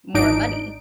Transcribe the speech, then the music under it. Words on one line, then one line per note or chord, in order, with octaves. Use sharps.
more money.
G#1 D4 D#4 D7